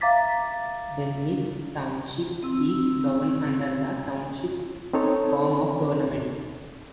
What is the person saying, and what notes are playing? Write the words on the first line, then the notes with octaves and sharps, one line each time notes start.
Dennis Township is governed under the Township form of government.
E5 F5 A#5 D6 A6 B6
C4 E6
C4 D#4 A4 C#5